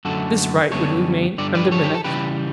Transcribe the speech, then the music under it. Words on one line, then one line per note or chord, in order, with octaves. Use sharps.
This right would remain undiminished.
F#2 D3 F#3 A3 F#4 A4
F#2 D3 G3 B3 A4 C#5
G2 D3 G3 D5
B4 D5
A4 C#5
G4
A4
C#3 E3 G3 G4 B4